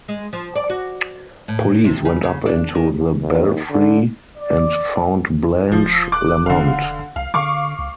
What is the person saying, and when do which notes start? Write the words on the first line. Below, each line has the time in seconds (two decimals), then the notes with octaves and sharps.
Police went up into the belfry and found Blanche Lamont.
0.08 G#3
0.33 F3
0.56 D5
0.70 F#4
1.48 A2
1.84 C3
2.05 C#3
2.23 C#3
2.46 D4
2.75 D#3
3.21 D#2
3.70 D3
4.38 D5
5.72 D#1 F3
6.12 D6 F#6
6.46 E1 D3 F5
7.16 C2 F5
7.34 D3 F5 C#6 D6
7.79 C#2